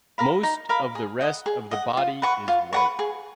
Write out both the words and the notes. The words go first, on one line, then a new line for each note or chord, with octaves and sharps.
Most of the rest of the body is white.
A#4 F5 B5
D#4
A#4 F5 B5
G#4
D#5 F#5
G#4
D#5 F#5
F4
B4 F#5 C#6
F4
B4 F#5 C#6
G#4